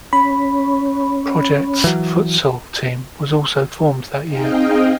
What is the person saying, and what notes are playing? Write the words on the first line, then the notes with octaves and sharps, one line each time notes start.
Project's futsal team, was also formed that year.
C#4 B5
E3 F#3
C4 D#4 G#4 D#5 F5 G5